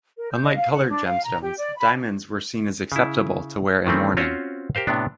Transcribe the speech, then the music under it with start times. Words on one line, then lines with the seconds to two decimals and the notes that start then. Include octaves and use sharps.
Unlike coloured gemstones, diamonds were seen as acceptable to wear in mourning.
0.18 A#4
0.31 G6
0.44 D#5
0.56 F5
0.72 F#5
0.88 D4
1.06 F5
1.24 A#5
1.41 G4
1.58 D5
1.77 B5
2.92 C#3 E4
3.86 D#3 E3 A3 C4 C#4
4.17 C4 C#4 F4 F#4 C5 C#5
4.75 G4 A#4 C5 F5
4.87 A2 C3 B3 D4